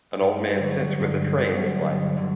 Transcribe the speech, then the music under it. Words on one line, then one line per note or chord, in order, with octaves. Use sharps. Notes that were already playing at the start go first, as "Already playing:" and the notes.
An old man sits with a tray in his lap.
G2
D3
F#3
G2
D3 F#3
G2
D3 F#3